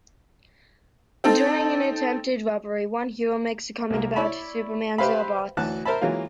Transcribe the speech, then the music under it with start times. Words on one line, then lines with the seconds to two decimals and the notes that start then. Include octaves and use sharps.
During an attempted robbery, one hero makes a comment about "Superman's robots".
1.24 C4 D#4 A4
3.90 C2 A#3
4.16 E4 C#5 D5 B5
4.98 G4 B4 C5 E5 F5 B5
5.57 D2 E3 F#3 F#4 A5 F#6
5.85 A#4 C5 E5 A5 B5
6.01 E3 F#3 G#3 A#3 F4